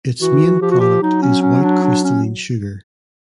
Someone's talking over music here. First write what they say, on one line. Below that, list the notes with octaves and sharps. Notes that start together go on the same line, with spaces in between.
Its main product is white crystalline sugar.
E3 F#4
F3 G4
F#4
G4
F#3 D#4
C#4
C#4
D4
D4
C#4